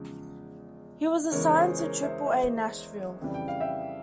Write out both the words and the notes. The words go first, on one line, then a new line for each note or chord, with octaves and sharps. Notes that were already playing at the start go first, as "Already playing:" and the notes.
He was assigned to Triple-A Nashville.
Already playing: E2 C#3 F3 G#3
E2 C#3 E3 G#3 A#4 C#5
C#5
G#4 C5
A#4 C#5
C5 E5
C5 E5
F2 C#3 E3 G3
G5
F5
E5 G5